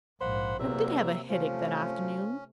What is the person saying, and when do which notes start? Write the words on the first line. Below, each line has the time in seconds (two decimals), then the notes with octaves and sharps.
I did have a headache that afternoon.
0.21 A#1 G#2 A#3 C5 F#5 B5
0.59 E2 C3 F#3 A#3 E5
1.30 C3 F3 A3 C#4